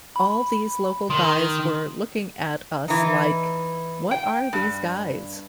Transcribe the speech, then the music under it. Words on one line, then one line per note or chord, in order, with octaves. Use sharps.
All these local guys were looking at us like, What are these guys?
B5
D#3 C6
E3 D#4
G5
G2